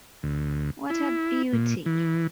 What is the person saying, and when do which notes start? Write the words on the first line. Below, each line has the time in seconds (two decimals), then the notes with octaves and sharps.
What a beauty!
0.23 D2
0.90 E4
1.53 A#2
1.86 E3